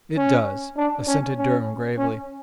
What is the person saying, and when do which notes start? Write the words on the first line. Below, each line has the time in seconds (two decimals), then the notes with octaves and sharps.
"It does," assented Durham gravely.
0.17 C#4
0.77 D4
1.07 C#4
1.38 C#4
1.98 C#4